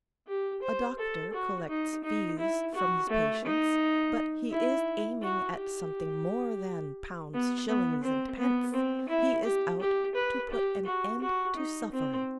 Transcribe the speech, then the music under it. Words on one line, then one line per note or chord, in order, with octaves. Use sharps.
A doctor collects fees from his patients, but he is aiming at something more than pounds, shillings, and pence; he is out to put an end to suffering.
G4
C5
A4
F#4
D#4
D#4
E4
F#4
A3
D#4
E4
F#4
G4
B3
B3
C4
B3
C4
E4
G4
G4
B4
G4
F#4
F#4
D#4
C4